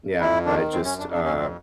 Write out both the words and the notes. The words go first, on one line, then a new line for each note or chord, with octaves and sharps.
yeah, I just, um
F2 E4
D#3 D4
F#2 C4
C#4
F2 D4
D4
F2 C#4
C4